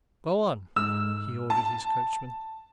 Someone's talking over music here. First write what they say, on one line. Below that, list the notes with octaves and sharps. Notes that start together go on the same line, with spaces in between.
"Go on!" he ordered his coachman.
G#2 G#3 E6 F6
A5